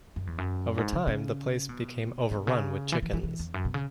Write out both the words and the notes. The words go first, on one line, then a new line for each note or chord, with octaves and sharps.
Over time the place became overrun with chickens.
F#2
E2
F#2
G#2
C#3
C#3
B2
B2
C#3
E3
E3
E3
E3
E2
F#2
B2
C#3